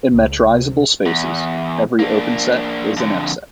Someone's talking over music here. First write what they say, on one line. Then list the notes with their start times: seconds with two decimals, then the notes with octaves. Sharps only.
In metrizable spaces, every open set is an F set.
0.12 C#2
0.48 C3
1.06 E2
1.99 A#3 D4
2.97 F2 D3